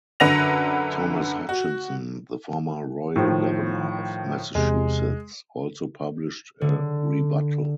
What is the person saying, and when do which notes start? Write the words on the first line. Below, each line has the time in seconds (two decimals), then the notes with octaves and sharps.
Thomas Hutchinson, the former royal governor of Massachusetts, also published a rebuttal.
0.20 F#2 D3 B4 F#5 A#6 F7
1.49 F#4
3.16 A2 D#3 F3
4.55 E2 C3 G#3
6.61 D3